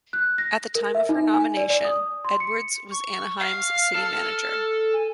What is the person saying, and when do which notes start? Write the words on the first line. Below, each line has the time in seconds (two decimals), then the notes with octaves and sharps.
At the time of her nomination, Edwards was Anaheim's City Manager.
0.13 F#6
0.38 A#6
0.75 A#4
0.95 E5
1.09 D#4
1.34 G#5
1.57 D5
1.70 D5
1.85 D#6
2.24 C6
2.40 C#7
2.91 C#6
3.42 F5 F6
3.96 A4
4.94 G#5